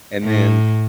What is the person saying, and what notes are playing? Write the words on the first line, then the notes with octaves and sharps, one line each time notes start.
and then,
A2